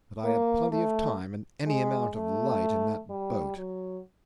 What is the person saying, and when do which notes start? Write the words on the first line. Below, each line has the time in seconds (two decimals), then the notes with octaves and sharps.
But I had plenty of time and any amount of light in that boat.
0.24 A#3
0.72 A3
1.67 G#3
2.15 A3
3.10 G3
3.57 F#3